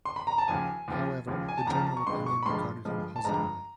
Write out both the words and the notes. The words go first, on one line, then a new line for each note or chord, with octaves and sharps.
However the general opinion regarded him positively.
C6
B5
A#5
A5
D#2 C#3 F3 G#5
D#2 C#3 F3
D#2 C#3 F3
G#5
A5
D#2 C#3 F3 A#5
A5
A#5
C#6
G2 D3 F3 G#3 C6
C#6
B5
G2 D3 F3 G#3 C6
G2 D3 F3 G#3
A5
G2 D3 F3 G#3 A#5